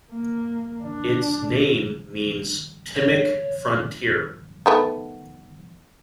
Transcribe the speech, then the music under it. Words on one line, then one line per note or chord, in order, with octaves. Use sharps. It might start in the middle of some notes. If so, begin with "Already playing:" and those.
Its name means "Timok frontier".
A#3
D4
C#5
D#3 A3 B3